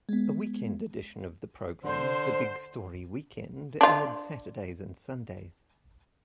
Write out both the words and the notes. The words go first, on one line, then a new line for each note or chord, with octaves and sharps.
A weekend edition of the program, The Big Story Weekend, aired Saturdays and Sundays.
G#3 B3
D3 C5
D4 F4